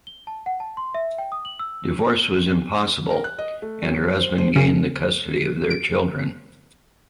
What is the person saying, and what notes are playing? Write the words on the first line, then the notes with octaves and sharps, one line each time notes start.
Divorce was impossible and her husband gained the custody of their children.
G7
A5
F#5
A5
C6
E5
G5
D#6
F#7
E6
A#4
F#6
D#5
A3
F#3
C5
C5
C#3
D7